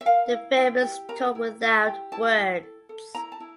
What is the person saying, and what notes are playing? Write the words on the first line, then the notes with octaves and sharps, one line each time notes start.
The film is told without words.
E5
A#4 F5
E4
E4 G5
G4
A#4 A#5
E4
E4
G4
E4 A5
E4
A4
A4
E4 A#5
A5
E4